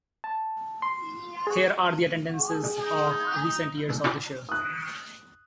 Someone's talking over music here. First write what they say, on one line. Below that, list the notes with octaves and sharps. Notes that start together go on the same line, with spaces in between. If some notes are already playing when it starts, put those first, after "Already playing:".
Here are the attendances of recent years of the Show.
A5
C6
G#4
G#4
D#4
D#6 F#6